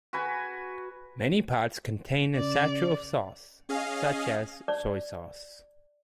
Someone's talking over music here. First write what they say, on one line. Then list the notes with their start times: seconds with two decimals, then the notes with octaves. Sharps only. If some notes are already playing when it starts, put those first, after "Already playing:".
Many pots contain a sachet of sauce, such as soy sauce.
0.13 F#4 B4 G#5
2.36 C#3 D5
3.69 C#4 G#4 D#5 F5
4.68 D5